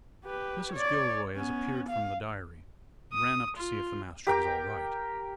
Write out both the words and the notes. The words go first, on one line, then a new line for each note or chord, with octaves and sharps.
Mrs. Gilroy--as appeared from the diary--ran up to see if the master was all right.
G4 B4
C#5 D5
B3 C#4
F5
D#6
F4
G4 A#4 G5 D6